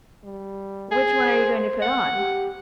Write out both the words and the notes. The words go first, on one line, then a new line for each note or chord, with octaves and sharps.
"Which one are you going to put on?"
G3
G#4
C5
F#5
G4